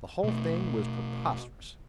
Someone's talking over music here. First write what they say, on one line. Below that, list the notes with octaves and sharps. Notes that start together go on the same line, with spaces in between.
The whole thing was preposterous....
B2 A3